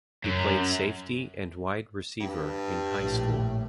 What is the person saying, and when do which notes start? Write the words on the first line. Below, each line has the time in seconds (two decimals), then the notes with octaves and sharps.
He played safety and wide receiver in high school.
0.24 F#2
2.20 G2
2.96 A#1 A2